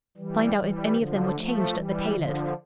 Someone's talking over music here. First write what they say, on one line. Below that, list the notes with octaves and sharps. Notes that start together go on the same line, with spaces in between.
Find out if any of them were changed at the tailor's.
E3 G3
E3 G3
D3 F3
F3 A3
E3 G3
D3 F3